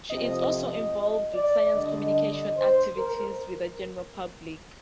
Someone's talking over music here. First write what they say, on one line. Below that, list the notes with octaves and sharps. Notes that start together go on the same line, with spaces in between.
She is also involved with science communication activities with the general public.
F2 C3 F3 C4 D#5
D#5
D5
D3 G3 D4 D#5
D#5
C5
A#4